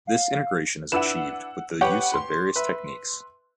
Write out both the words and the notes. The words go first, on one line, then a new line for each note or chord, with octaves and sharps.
This integration is achieved with the use of various techniques.
F5
D4 E4 B4 F#5 E6 E7
G4 B4 C#5 F#5 G5
C6
B4 E5